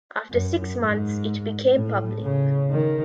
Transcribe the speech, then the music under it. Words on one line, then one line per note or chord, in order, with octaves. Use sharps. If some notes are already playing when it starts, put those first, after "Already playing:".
After six months, it became public.
F#2
G#2
A2
C#3
D#3